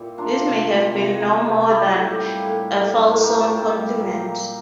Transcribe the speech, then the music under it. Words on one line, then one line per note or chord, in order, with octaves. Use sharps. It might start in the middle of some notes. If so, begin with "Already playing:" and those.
This may have been no more than a fulsome compliment.
Already playing: A#2 E4 G4
A#3 D4 F4
C3
E3
C3
A#3
C3
A#3 E4 G4
A2
G3
A2
A#3
A2
A#3 G4 A#4
A#2
G3
A#2
A#3